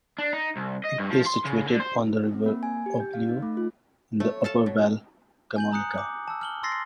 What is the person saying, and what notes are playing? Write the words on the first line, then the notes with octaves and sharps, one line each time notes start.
It is situated on the river Oglio, in the upper Val Camonica.
D4
D#4
C2
D#5
G2
F3
C6
C#3
D3
C5
C4
A#3
G#5
G4
G6
F5
D#4
A3
F4
A3 C#5
A4 F5 A5
B2
G#5 G6 F#7
A#5 D#6 F#6 C#7
D6
A5 E6
F6 F#7 G7
C6 E6 A6 A#6 C7